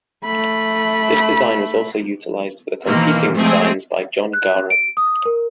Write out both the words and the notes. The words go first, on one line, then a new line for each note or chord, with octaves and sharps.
This design was also utilized for the competing designs by John Garand.
A3 B5
B2 D#3 E3 A#3 C4
C3 F3 G#3 A3 C4 G#4
F#6
D7
D#6
A#4